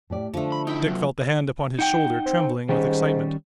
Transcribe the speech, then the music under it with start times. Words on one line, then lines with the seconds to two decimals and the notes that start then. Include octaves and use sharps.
Dick felt the hand upon his shoulder trembling with excitement.
0.10 A2 G4 D5
0.34 D3 F3 A3 D4
0.52 B5
0.67 D#4 E4 G5
0.86 C3 F#3
1.79 D#4 F#5 G5
2.26 C4
2.69 G#2 D#3 G3 C#4